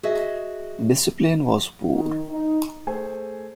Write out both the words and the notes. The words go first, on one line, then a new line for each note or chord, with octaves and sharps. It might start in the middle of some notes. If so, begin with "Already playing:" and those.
Discipline was poor.
F#4 G#4 D#5 E5
D#3
D#4
A3 G#4 C5 G#5